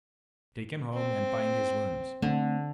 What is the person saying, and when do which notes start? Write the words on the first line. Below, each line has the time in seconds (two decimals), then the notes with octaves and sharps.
Take him home and bind his wounds.
0.94 C4
2.22 D3 A3 B3 C4